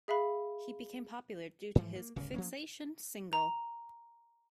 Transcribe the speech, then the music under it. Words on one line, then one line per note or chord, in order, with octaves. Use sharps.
He became popular due to his "Fixation" single.
G#4 E5 F5 B5
G#2 E3 F3
A#3
D1 G1 A#2 C#3
F3 A#3 C#4
A#5